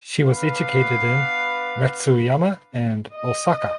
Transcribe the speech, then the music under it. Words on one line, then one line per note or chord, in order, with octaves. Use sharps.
She was educated in Matsuyama and Osaka.
B3 D4 B4 F5
D#5